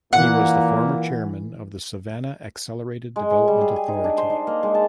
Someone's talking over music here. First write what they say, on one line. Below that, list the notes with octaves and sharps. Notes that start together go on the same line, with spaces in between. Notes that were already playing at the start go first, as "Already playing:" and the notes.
He was the former Chairman of the Savannah Accelerated Development Authority.
A#2 E3 A#3 F#5
G#3
G#3
G3
G#4
G#5
D#4
D4
C5
D#4
A#3
G#3
A5